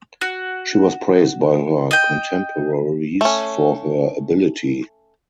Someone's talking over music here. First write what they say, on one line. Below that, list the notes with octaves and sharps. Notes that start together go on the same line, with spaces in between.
She was praised by her contemporaries for her ability.
F#4
D#5 G5
A3 C#4